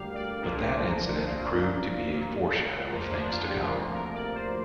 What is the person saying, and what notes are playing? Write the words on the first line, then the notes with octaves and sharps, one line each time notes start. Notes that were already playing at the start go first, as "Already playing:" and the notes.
But that incident proved to be a foreshadow of things to come.
Already playing: D2 D3 G3 A#3 G4 F5
D5
C2 A#2 F3 A#3 D4
C2 A#2 F3 A#3
A#2 A#3
F2 F3 A#3
D4
F4
G4
F4
D2 C3 F3 A#3
A#4
D5
C5